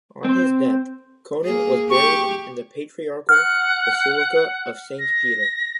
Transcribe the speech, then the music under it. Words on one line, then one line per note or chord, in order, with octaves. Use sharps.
On his death, Conon was buried in the Patriarchal Basilica of Saint Peter.
C4 C5
A#3 G#4
G4 C#6
F#5 F6
A#6